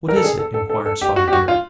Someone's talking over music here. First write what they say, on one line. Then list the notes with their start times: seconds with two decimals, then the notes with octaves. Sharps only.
"What is it?" inquired Spotted Deer.
0.09 A#4
0.16 A4
0.24 G#4
0.39 A4
0.54 A4
0.70 A4
0.86 A4
1.01 G4
1.16 F#4
1.28 G4
1.33 F#4
1.48 F4